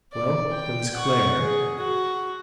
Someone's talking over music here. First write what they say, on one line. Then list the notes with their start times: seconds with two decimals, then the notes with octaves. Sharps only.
Well, there was Clare.
0.13 D5
0.51 G5
0.96 F#5 C#6
1.40 G#4
1.79 F#4